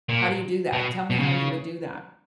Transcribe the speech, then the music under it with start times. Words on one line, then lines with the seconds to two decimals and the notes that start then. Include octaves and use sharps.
How do you do that? Tell me how you would do that.
0.09 A#2
0.73 B2
1.10 B2
1.19 C#3